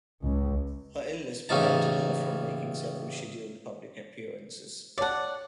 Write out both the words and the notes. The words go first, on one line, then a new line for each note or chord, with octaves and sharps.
Her illness prevented her from making several scheduled public appearances.
C#2
A1 C#3 C#4 D#4 A5
C#5 D5 F#5 A5